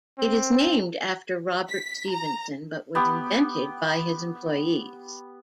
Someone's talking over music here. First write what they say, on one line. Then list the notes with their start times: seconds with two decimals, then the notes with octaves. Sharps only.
It is named after Robert Stephenson but was invented by his employees.
0.19 C4
1.69 B6
2.11 A#5
2.95 B3 G4